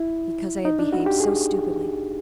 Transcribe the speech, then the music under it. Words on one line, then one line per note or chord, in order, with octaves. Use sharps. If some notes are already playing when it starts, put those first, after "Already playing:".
"Because I had behaved so stupidly."
Already playing: E4
D#4
D4
F#4
G4
G#4